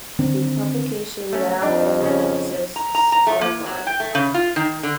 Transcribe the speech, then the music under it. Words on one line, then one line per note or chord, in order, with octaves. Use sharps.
The publication now only exists online.
D3 D#3 C4 D4
A3 C#4
F2 D4 D#4
C#3 C#4
A#5
A#5
A#5
A3
A#3
F#3
G5
A3
C#3
F4
D#3
D3